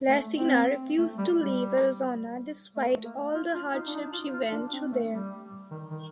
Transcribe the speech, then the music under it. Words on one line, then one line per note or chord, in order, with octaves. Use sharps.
Larcena refused to leave Arizona, despite all the hardships she went through there.
A3
C4
A3
G3
G3
A3
A#3
F4
F4
D#4
D4
D#4
F4
F4
D4
C4
A3
G3
D#3
D#3